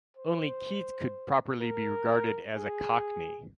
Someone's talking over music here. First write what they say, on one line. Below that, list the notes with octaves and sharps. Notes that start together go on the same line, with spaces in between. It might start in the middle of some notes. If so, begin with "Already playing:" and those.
Only Keats could properly be regarded as a cockney.
C5
A#4
G#4